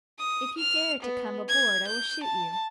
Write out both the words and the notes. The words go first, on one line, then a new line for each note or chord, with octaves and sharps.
If you dare to come aboard I will shoot you.
D#6
F6
B3
G#6
G6
A5